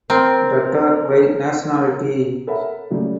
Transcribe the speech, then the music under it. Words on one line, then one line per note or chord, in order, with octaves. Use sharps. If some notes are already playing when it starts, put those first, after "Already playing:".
Tatar by nationality.
C4 A#4
A4 A#4 C#5 E5 F#5 B5
C#3 F#3 G3 A3 C#4